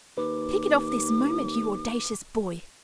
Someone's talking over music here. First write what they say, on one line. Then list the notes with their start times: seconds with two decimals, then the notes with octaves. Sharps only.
'Take it off this moment, you audacious boy!
0.18 D#2 B4 D6